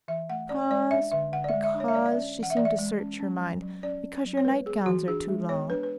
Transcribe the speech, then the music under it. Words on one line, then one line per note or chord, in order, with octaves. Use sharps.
"Because--because"--she seemed to search her mind--"because your night-gowns are too long."
E3 E5
A3 F#5
C#4 D5
G#3 D5
D4 E5
D3 E5
D3 F#5
D5
E5
G#3
E5
D4
C#5
E5
G#3 D5
D5
C#4 E5
E3
F#5
E5
E3 D5
E5
G#3
C#4
C#4
F#3
F#3
C#4 D5
C#4
F#3
C#5
G#3 B4
B3 G#4
E3 F#4
D4 G#4
G#3
B3 C#5
D4 B4
B4